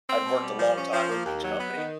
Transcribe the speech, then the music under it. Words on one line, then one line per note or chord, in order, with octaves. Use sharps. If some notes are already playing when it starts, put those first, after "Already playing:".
I've worked a long time with each company
C4
B2
G3
F3
C#4
F3
A#3
D#2
F#3
B3
D#3